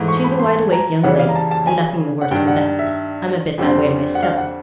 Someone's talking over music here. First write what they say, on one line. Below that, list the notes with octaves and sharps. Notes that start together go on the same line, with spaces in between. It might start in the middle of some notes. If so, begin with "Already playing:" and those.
She is a wide-awake young lady, and nothing the worse for that: I'm a bit that way myself.
Already playing: G#2 E3 A3
C#6
B5
C6
A#5
C#3 E3 G3 F#5
F5
A#5
A5
A5
G#5
F#5
G2 D#3 G3 G5
F#5
E5
F2 D3 G3 C4
F#5
F5
F#5